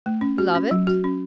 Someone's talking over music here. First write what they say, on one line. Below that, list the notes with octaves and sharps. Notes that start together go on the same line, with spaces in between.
"Love it?"
A3
C#4
F#4
C#4
F#3
F#4
C#4